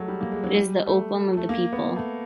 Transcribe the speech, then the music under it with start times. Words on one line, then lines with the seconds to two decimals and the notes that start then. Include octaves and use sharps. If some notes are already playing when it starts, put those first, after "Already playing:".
It is the opium of the people.
Already playing: F#3 G#3 A3
0.08 G3
0.21 A#3
0.32 G#3
0.44 F#3
0.56 G3
0.86 A3
1.37 A3
1.49 A#3
1.73 B3
1.96 A3